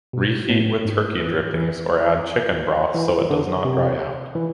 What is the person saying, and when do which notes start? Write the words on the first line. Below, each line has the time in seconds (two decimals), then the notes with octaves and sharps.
Reheat with turkey drippings or add chicken broth so it does not dry out.
0.13 B2
0.49 A2
0.85 G#2
1.19 E3
1.54 E3
2.95 E3
3.30 D3
3.65 C3
4.35 E3